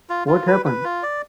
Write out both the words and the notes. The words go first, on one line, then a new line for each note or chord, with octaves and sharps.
What happened?
F4
F4
B4
B4
F4
D5